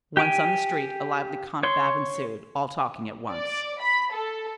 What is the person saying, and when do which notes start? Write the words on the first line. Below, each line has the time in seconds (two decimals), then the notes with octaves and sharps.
Once on the street a lively confab ensued, all talking at once.
0.17 G4 G5 G#5
1.63 C#5 C6
3.32 D5
3.81 B5
4.12 A4